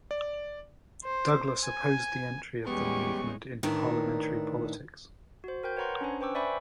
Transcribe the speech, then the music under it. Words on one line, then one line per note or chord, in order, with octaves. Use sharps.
Douglas opposed the entry of the movement into parliamentary politics.
D5
C5
G#5
E2 G3 G#3 B3 C#4 G4 C#6
A2 D#3 E3 D4 A#4
F#4 C5
A#4 G5 G6
B4 C#5 F#5 A#5 C6 C#6
C#4 D4 C5 G#5
B4 C5 G5 C#6 D6 E6
D5 E5 G#5 B5 C#6